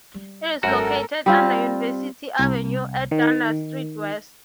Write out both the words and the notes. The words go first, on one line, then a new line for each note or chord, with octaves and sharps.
It is located under University Avenue at Dundas Street West.
G3
G#1 F#2 F#4 A4 A#4
G3 C4 F4
C2
D#3